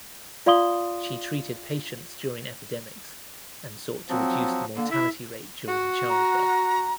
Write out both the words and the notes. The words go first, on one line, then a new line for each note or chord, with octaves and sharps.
She treated patients during epidemics and sought to reduce the mortality rate during childbirth.
F4 D5 F5 C6 D#6 G7
F3 F#3 C4
D3 A#3
E4 E5
F#4
A#5